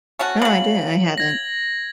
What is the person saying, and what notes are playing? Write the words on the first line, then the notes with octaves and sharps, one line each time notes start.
No, I didn't I haven't.
A3 C#4 F#4
C#3 F#3 F#7
G#6 A#6